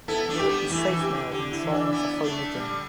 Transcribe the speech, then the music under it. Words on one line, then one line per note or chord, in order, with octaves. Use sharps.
He would be safe now in trying for home again.
B3 E4 A4
A3 D4
G4
G3 B3
E3 A3 E4
E3
G4
D3
D3 G4
E4
E3
D4
B3 E4
A3 D4
D3 G3